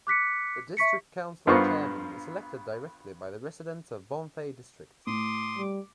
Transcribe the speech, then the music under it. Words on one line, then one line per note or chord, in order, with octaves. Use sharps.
The District Council Chairman is elected directly by the residents of Bonthe District.
D6 F#6 B6 C#7
E5 C#6 B6 C#7
G2 B3 F4 A#4 C5 C#6
A2 C6 D6 D#6
G3